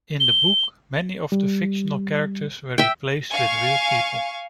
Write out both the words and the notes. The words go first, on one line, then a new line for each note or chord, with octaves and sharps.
In the book, many of the fictional characters were replaced with real people.
G7
G3
E5 G5
F5 G#5 C#6